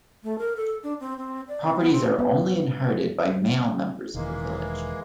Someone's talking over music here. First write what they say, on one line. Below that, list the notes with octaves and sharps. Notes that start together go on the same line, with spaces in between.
Properties are only inherited by male members of a village.
A3
A#4
A4
D4
C4
C4
D5
C4
B3
C4
G2 B3
E1 D#3 E3 G#3 A#3